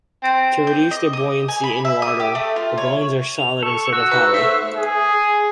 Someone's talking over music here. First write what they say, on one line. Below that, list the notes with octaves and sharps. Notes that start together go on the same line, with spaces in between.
To reduce their buoyancy in water, the bones are solid instead of hollow.
C4
G6
D#5
D#6
G#5
B5
E5
D#6
G4
A3
F4
C#5
F7
A4 C#6
F#4 E6
D#4 B4
A3 A4 C5 E5
G#4